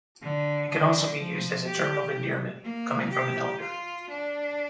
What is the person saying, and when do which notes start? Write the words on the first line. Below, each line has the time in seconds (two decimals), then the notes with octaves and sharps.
It can also be used as a term of endearment coming from an elder.
0.22 D3
0.69 D3
1.18 F3
1.66 G4
2.63 A#3
3.12 G4
3.61 F4
4.09 D4